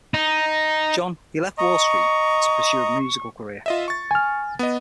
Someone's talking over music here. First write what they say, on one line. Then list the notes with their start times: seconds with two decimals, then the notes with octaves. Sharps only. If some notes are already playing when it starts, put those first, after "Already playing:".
John he left Wall Street to pursue a musical career.
0.14 D#4
1.58 D#5 A#5 C#6
3.66 F4 D#5 E5
3.88 C#6 A6
4.11 G#5 F6
4.59 B3 D#5